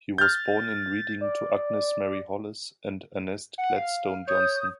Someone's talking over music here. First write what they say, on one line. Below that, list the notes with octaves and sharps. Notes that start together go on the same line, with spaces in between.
He was born in Reading to Agnes Mary Hollis and Ernest Gladstone Johnson.
F6 G6 A6
D5
F#5
F5
C#5 D#6 G6